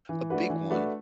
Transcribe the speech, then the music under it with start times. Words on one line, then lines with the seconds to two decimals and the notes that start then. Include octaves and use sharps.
A big one,
0.09 E3
0.30 A3 D4 F#4 B4
0.50 E3
0.70 A3 D4 F#4 B4